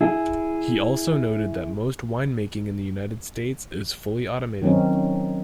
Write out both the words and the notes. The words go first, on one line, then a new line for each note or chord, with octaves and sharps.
He also noted that most winemaking in the United States is fully automated.
E4 G#4
D#3 F#3 C4 C#4 D#4